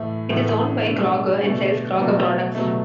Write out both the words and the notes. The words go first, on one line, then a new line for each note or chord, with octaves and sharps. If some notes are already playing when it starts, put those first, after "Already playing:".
It is owned by Kroger and sells Kroger products.
Already playing: A2 E3 A3
A2 E3 A3
B2 A3 D4
B2 A3 D4
B2 F#3 A3
B2 F#3 A3